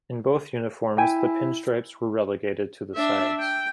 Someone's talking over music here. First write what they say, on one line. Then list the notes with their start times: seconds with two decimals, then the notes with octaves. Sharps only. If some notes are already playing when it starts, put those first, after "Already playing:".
In both uniforms, the pinstripes were relegated to the sides.
0.98 E4 G5 G#5
2.95 D4 E5
3.40 G5